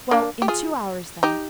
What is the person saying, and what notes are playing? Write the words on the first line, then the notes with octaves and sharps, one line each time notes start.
"Well, in two hours, then."
A#3 D4
G4
F4 G#4
D#4 G4